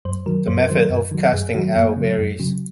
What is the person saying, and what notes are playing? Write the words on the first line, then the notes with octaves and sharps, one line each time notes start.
The method of casting out varies.
F#2 C5
D#3 F#3 A#4
F#2 C5
A#4
D#3 F#3 C5
A#4
F#2
D#3 F#3
F#2 G#4
D#3 F#3 F#4
F#2 A#3
C#3 F#3
F#2
C#3 F#3